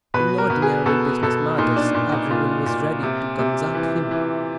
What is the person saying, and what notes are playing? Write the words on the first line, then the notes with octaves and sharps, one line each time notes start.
In ordinary business matters every one was ready to consult him.
B2 B4
A#4
B2
G#4
B2 A4
B2 A4
A#2 D#4
D4
A#2
D#4
A#2 F4
A#2
C3
C3
E3
E3